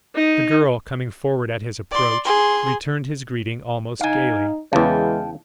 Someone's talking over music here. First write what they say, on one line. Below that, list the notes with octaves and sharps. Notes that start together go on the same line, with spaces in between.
The girl, coming forward at his approach, returned his greeting almost gaily.
D#4
D5 C6
G#4 C6
D#4 F5 G#5
E2 C#3 E3 G#3 F5 G5 A5